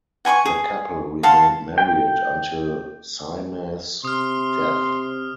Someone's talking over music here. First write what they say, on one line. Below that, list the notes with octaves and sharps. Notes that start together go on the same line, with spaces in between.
The couple remained married until Sima's death.
F#5 G#5 C6 C#6
G#4
F5 F#5 A5 C6
G5
C3 C6 D#6 F6